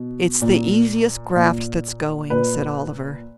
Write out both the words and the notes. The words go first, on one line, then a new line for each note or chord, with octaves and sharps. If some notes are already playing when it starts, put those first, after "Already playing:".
"It's the easiest graft that's going," said Oliver.
Already playing: B2
A#2
A#2
A#2 B4